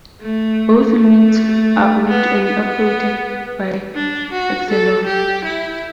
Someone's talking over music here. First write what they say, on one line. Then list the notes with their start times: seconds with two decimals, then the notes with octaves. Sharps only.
Both units are owned and operated by Exelon.
0.21 A3
0.96 A3
2.07 B3
2.44 B3
3.95 D4
4.32 F#4
4.70 A4
5.06 G4
5.44 E4